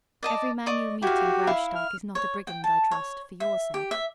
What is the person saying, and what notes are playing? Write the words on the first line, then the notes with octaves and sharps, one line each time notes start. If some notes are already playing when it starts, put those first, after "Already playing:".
Every man you meet in Graustark is not a brigand, I trust, for your sake.
D5 D#5 A5
D5 D#5 C#6
E4 F#4 G4 F5
E4 E5 F5
F6
C#5
G5
A5
C#5
E5
G4
E5